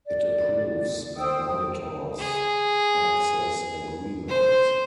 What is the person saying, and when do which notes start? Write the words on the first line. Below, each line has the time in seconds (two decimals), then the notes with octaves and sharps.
It approves and monitors 'access agreements'.
0.05 D5
1.16 C5 G5 D#6 E6
2.19 G#4
4.28 C5